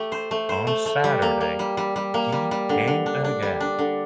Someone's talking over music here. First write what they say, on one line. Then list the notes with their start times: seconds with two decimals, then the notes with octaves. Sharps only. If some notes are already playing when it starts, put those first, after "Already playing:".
On Saturday he came again.
Already playing: A3 G4
0.12 C5
0.31 A3
0.49 C5
0.67 A3
0.86 A3
1.04 G3
1.22 A#3
1.41 A#3
1.59 G3
1.77 G3
1.96 G3
2.14 A#3
2.32 G3
2.51 G3
2.69 D3
2.87 D3
3.06 D4
3.24 D4
3.42 G3
3.60 D4
3.79 D3